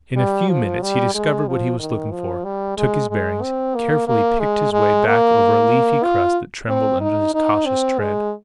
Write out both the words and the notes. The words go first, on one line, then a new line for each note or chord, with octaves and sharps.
In a few minutes he discovered what he was looking for; took his bearings; carefully picked his way back over a leafy crust that trembled under his cautious tread.
G3
F3
G3
G#3
F3
D#3
F3
G3
G#3
G#3
C4
A#3
A#3
G#3
G#3
A#3
F4
C4
D#4
D#4
C4
G#3